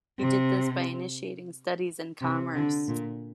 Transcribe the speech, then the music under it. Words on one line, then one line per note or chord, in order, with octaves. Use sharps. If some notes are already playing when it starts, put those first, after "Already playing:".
He did this by initiating studies in commerce.
C3
C3
D3
A#2